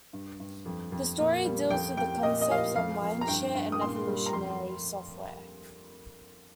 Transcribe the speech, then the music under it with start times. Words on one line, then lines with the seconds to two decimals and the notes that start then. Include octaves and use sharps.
The story deals with the concepts of mindshare and evolutionary software.
0.13 G2
0.40 G2
0.66 F2
0.92 F2
1.18 A#2
1.45 G3
1.70 F2 G5
1.97 F2 G5
2.23 A#2 D#5
2.41 D#5
2.50 F3 F5
2.58 D#5
2.76 F2 F5
3.02 F2
3.21 A#5
3.28 G2 G5
3.55 G2
3.72 D#6
3.81 A#2 C6
4.08 G3
4.26 A#5
4.33 F2 C6